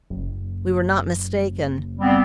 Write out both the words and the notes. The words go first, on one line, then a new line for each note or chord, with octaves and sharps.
We were not mistaken.
F#1
G3 B3 C4